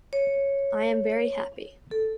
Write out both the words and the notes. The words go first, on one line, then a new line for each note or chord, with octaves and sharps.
I am very happy.
C#5
A4